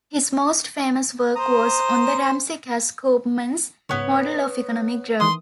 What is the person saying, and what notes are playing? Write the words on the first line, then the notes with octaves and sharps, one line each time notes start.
His most famous work was on the Ramsey-Cass-Koopmans model of economic growth.
C5 A#5 D#6
C#2 G#2 B3 C#5
D#3 E3 A#3 C6 D#6